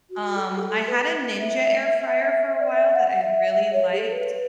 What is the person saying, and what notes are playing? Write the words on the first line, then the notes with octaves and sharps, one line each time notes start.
Um, I had a Ninja air fryer for a while that I really liked.
F#4
A4
G4
A4
B4
E5
D5
E5
F#5
F#5
E5
E5
C#5
G4
A4
B4